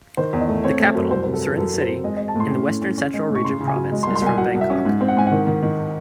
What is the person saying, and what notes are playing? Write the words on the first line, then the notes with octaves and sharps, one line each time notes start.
The capital, Surin city, in the western central region province is from Bangkok.
D#3 C5
E2
D#5
A3
C4 C#5
A3
F#2
C2 C5
C3 C5
A4
E3
F#2 A4
F#2
C5
C4
G#3 D#5
G#3 D#5
A5
A2 C6
C#4
A2
C#4
C#4
G#3
A2
C#6
C#3 C6
C#3
G#5
F#3
G#3
C6
C2
C6
C2 G#5
F#3 F#5
C2
E5
C#4
G#2
C4
F#5
G#2 G#5
D#3 F#5
D#3
D#3